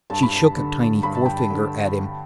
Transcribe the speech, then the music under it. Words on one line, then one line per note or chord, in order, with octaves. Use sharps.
She shook a tiny forefinger at him.
G2 A5
B5
A5
D3
G2 B5
A5
G5
A5
D3